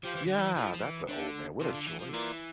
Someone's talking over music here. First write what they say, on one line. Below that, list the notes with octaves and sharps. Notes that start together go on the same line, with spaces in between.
Yeah, that's a oh man, what a choice.
F3 G4 C5 F5
E3
D3
E3
F3 E4 A4 E5 G5
F3
E3
D3 D4 A4 E5 G5
C3 F4 A4 D5 F5
D3
E3
F3
D3
E3 A#3 F4 A#4 D5 F5